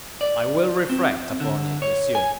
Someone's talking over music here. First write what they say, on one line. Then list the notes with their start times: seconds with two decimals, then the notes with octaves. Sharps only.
"I will reflect upon it, monsieur."
0.21 D5
0.90 C4
1.40 D3
1.82 C#5
2.15 G#5